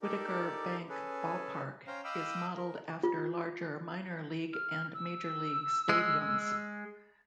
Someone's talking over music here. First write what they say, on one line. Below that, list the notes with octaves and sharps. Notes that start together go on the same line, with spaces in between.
Whitaker Bank Ballpark is modeled after larger minor-league and major-league stadiums.
D#4 G4 A4 A#4 D5
C#4 G#4 A4 B4
C#4 C5 F5 G5 A#5
D#5 F5 G5 B5 D6 E6
A#4
F4
F6
E6
G#3